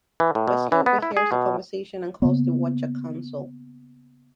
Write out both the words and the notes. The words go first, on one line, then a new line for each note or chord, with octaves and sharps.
Wesley overhears the conversation and calls the Watcher Council.
E3
A2
B2
E3
B3
E4
G#4
B2
C#3 A#3 B3